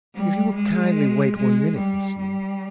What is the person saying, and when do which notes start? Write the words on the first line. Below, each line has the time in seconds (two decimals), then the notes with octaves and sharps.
'If you will kindly wait one minute, Miss Yule.
0.15 G3
0.55 G#3
1.37 G#3
1.77 G3
2.18 G3